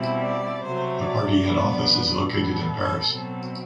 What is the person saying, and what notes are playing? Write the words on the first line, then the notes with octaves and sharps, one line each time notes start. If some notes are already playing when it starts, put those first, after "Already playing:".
The party head office is located in Paris.
Already playing: B2 G3 C4 E4
D5
C3 F#3 A3 C5
D5
E2 C3 F#3 B3 D4
B4
A2 G3 B3 A4
B2 F#3 C4